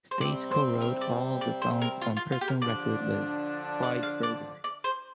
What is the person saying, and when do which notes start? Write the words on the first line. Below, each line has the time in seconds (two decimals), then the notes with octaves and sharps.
Stace co-wrote all of the songs on Personal Record with Friedberger.
0.11 C5
0.21 C3 G3 C4 D5
0.51 C5
0.81 A#4
1.01 D5
1.41 D5
1.62 C5
1.82 A#4
2.01 F4
2.17 F4
2.32 F4
2.41 G4
2.48 A#4
2.62 D3 F3 D4 D5
3.83 D5
4.03 F5
4.23 D5
4.64 D5
4.84 C5